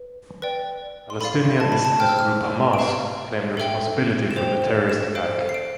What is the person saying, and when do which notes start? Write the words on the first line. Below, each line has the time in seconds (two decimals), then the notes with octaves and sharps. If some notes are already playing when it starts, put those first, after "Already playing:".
Palestinian Islamist group Hamas claimed responsibility for the terrorist attack.
Already playing: B4
0.42 B4 D5 G5
1.10 C6
1.21 A4 D5 F5 B5
1.60 A5
1.72 B5
1.85 A5
2.00 C5 G5 F6
2.09 E6
2.19 F6
2.73 D7
2.78 B4 F5 E7
3.57 A4 E5 G5
4.31 E7
4.36 C5 G5 F7
4.62 E7
4.90 E7
5.15 A4 C5 F5 D7
5.49 C7
5.54 D7